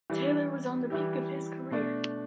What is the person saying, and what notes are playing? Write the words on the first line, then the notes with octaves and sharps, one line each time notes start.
Taylor was on the peek of his career.
E3 G3 E4 G4
E3 G3 E4 G4
B2 A3 D4